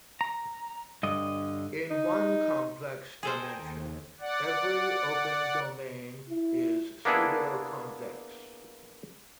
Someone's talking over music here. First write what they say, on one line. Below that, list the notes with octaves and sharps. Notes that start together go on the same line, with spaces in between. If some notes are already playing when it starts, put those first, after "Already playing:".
In one complex dimension, every open domain is pseudoconvex.
A#5
G2 D3 D#5
D#4
G#4 A4 C5 G5 G#5 A#5
D#2
D5 F#5
E4
A#3 B3 D4 E4 G#4 A4